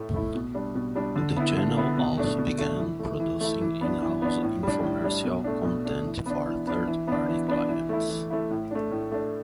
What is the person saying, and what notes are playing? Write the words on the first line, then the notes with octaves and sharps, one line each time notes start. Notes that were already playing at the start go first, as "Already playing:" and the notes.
The channel also began producing in-house infomercial content for third party clients.
Already playing: A2 A3 E4
A3 E4
B2
G3 D4
B2
G3 D4
D3
B3 E4
D3
B3 E4
B2
A3 D4
B2
A3 D4
E3
A3 E4
E3
A3 E4
E3
B3 D4
E3
B3 D4
A2
G3 D4
A2
G3 D4
B2
A3 D4
B2
A3 D4
E3
B3 D4
E3
B3 D4
E3
B3 D4
E3
B3 D4
E3
A3 E4
E3
A3 E4
A2
A3 D4
A2
A3 D4